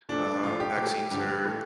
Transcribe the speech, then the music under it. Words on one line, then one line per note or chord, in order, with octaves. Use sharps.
uh, vaccines are
A#2 F3 A3 D4
A2 F3 A3 F4
G4
A#2 A3
G2 D3 F3 G4
A2 E3 A3